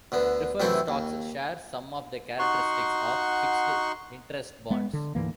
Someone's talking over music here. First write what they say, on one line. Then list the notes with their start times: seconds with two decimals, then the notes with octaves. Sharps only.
Preferred stocks share some of the characteristics of fixed interest bonds.
0.12 D2 D3 B3
0.60 F#2 C3 E3 A3 E4 G5
0.88 D#2
2.39 D#4 F#4 F#5 C6 C#6
4.70 G#3 B3
4.93 D3
5.15 D2 G#2 E3 A#3